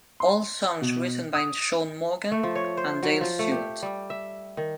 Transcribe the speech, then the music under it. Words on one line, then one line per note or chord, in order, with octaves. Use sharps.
All songs written by Shaun Morgan and Dale Stewart.
C6
B2
D#6
A3
F3
C#5
C5
F#3
F3
A3
G4
G3
E5
D#3